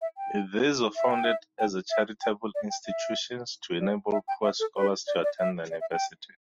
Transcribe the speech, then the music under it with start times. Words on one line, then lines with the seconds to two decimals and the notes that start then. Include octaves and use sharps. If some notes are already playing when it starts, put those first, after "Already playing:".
These were founded as charitable institutions to enable poor scholars to attend the University.
0.02 E5
0.17 G5
0.96 E5
1.11 G5
1.24 E5
1.59 G5
1.91 E5
2.22 G5
2.55 D5
2.70 G5
2.86 E5
3.80 D5
4.12 E5
4.28 G5
4.43 E5
4.60 A4
4.76 B4
5.07 D5
5.24 D5
5.39 E5
5.71 D5
5.81 E5
5.92 G5